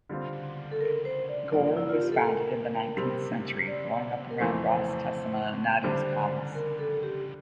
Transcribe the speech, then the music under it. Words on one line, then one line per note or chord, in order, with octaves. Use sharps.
Gore was founded in the nineteenth century, growing up around "Ras" Tessema Nadew's palace.
D3 G3 C4 F4
A4
A#4
C5
D5
G2 F3 A#3 D5
E4
F4
G4
A4
A#4
C3 G3 C4
D5
A#4
F2 E3 A3 C4 C5
D3 G3 D4 C5
A#4
A4
G4